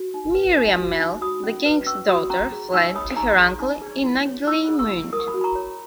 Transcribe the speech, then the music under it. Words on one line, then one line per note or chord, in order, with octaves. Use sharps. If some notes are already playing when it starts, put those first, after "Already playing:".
Miriamele, the king's daughter, fled to her uncle in Naglimund.
Already playing: F#4
D#4
B4
D#4
F#4
D#4
F#4 B5 D#6
C#4
B4
C#4 C#6 E6
F#4 B5 D#6
C#4 A#5 C#6
G#4
D#4 C#6 E6
C#5 B5 D#6
D#4 A#5 C#6
G#4
D#4
G#4
E4
C#5
E4 C#6 E6
G#4
C#6 E6
E4
A#4 D#6
C#6
B5 D#6
F#4
B5
A#5 C#6
C#5